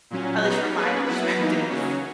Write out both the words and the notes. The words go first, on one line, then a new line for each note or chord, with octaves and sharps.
at least from my perspective.
A#2 F#3 C#4
F#3 B3 D#4
A#3 C#4 G#4 B4
F#3 B3 E4 B4
E3 A#3 D#4
C#3 F#3 C#4